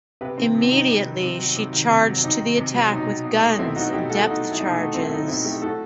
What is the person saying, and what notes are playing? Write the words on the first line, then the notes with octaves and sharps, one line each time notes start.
Immediately, she charged to the attack with guns and depth charges.
C3 G4 B4
D#3 C4
C3
C4
F#3 D#4
C3
D#3
C3
F#3
C3
D#3
C3
F#3
C3 D#4
D#3
C3
F#3
B2 D#4
F#3
B2
A3
B2 C4 E4
F#3 D#4 F#4
B2 E4 G4
A3 F#4 A4
B2 D#4 F#4
F#3
E4
B2 D#4
A3
B2 C4
E4
F#3 D#4
B2 C4 E4
A3 E4 G4
A2 F#4 A4